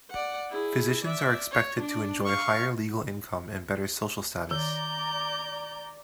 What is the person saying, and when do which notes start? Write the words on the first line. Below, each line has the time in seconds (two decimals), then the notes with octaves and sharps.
Physicians are expected to enjoy higher legal income and better social status.
0.10 D5 F#5
0.50 E4 G#4
1.05 D5 E5
1.51 C#5
1.80 D4 D5
2.25 F5 C#6
4.51 D#3 D5 A#5 G6